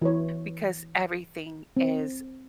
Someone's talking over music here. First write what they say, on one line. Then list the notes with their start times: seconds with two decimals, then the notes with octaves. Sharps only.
because everything is
0.02 E3 B4 C#5
1.77 C4